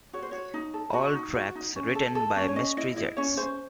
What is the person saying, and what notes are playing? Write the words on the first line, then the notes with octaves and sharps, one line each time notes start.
All tracks written by Mystery Jets.
F#4 C#5
C5
F#4 C#5
D#4
A4
F#4 D#5
D#4
F#4
D#4
C#4
A4
A4
C#4
C#5
C#4 D#5
E4 D#5
E4 D#5
C#4 C#5
C#4 C5